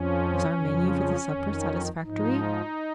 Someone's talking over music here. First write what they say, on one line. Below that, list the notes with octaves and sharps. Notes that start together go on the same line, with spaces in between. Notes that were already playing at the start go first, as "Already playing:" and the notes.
Was our menu for the supper satisfactory?
Already playing: F2 F3 C#4
F2 C#3 F3
F2 D#3
G#2 F3 D#4